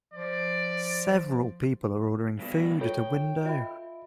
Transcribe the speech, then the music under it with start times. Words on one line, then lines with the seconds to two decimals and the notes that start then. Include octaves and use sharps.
Several people are ordering food at a window.
0.14 F3 D5
2.39 G2 B2
2.81 F4 A4 C#5 G5
3.46 F4 D#5 E5 B5